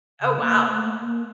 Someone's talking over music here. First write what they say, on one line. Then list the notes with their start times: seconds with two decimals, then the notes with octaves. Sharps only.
Oh, wow.
0.21 C#3
0.41 A#3
0.70 A3
1.02 A#3